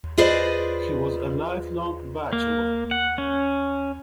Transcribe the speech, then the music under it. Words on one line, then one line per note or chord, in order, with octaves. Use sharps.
He was a lifelong bachelor.
F4 G#4 B4 C5 D5 D#5
A#3
F#5
C#4